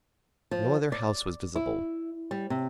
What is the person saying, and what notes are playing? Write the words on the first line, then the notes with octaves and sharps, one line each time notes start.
No other house was visible.
F3
D5
E4
G3
C3